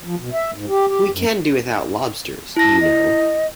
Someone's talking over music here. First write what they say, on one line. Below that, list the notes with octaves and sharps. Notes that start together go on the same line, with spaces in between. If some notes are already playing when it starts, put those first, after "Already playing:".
We can do without lobsters, you know.
F3
B2
E5
G#2
G4
G4
F#2
E4 A5 A#6
D#5